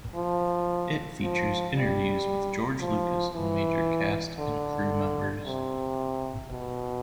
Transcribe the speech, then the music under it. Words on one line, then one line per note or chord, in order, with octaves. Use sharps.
It features interviews with George Lucas and major cast and crew members.
F3
F3
G3
F3
E3
D3
C3
B2